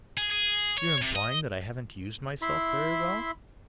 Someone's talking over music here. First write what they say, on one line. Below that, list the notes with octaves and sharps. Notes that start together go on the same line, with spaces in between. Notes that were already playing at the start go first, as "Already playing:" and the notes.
"You're implying that I haven't used myself very well?"
G#4
G#4
C#5
C3
D#5
E4 E5 B5 C6